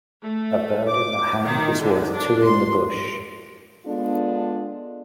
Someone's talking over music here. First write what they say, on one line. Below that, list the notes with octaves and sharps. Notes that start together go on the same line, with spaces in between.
A bird in the hand is worth two in the bush.
A3
D6
D#3
D3
D4
C6
G#3 B3 D4 F4 A4